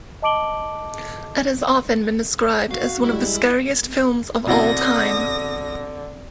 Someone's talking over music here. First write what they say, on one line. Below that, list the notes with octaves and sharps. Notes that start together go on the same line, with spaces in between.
It has often been described as one of the scariest films of all time.
D#5 A5 D6 D7 F#7 G7
F#4 F5
G3 G#3 E4
B2 D3 C4 E4 F#4 D#6 A#6